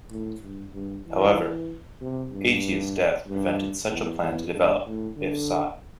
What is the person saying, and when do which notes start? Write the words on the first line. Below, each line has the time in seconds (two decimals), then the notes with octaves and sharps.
However, Aetius' death prevented such a plan to develop, if sought.
0.11 A2
0.41 G2
0.74 G2
1.06 E3
2.00 C3
2.32 G2
3.27 G2
3.90 E2
4.22 E2
4.53 G2
4.86 A2
5.17 D3